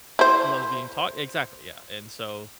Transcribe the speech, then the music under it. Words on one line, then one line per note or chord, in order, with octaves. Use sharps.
he loves being talk exactly, yeah, and so
E4 C5